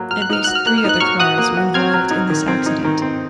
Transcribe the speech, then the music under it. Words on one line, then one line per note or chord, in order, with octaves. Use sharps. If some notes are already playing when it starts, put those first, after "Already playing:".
At least three other cars were involved in this accident.
Already playing: F#3 A#3
F#3 F6
F#6
D#4 F6
F#4 F#6
F6
A#3 F#6
F6
D#4
F#6
F#3 C#6 F6
F#4 D#6 F#6
A#3
F#4
C4 F6 G#6
F#3
D#4
D#3
C4
D#4
D#3
C4